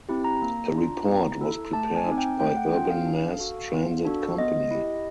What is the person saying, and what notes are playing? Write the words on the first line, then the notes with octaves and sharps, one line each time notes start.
A report was prepared by Urban Mass Transit Company.
C4 E4 G4
A#5
A#3
D4 F4
B3
E4 A4
A3 A5
G#5
D#4
C4
G5
A3 G5
F#5
C#4 F4 G5
F5
D4
F#4 A4
B3
D4 F#4 A4
B3 D#5
E4 G4